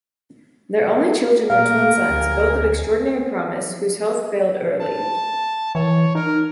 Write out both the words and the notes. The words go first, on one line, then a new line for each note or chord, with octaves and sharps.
Their only children were twin sons, both of extraordinary promise, whose health failed early.
A#2 A#3 A#4 F5
D2 G4 G#5
A5
E3 C#5
D#4 A#4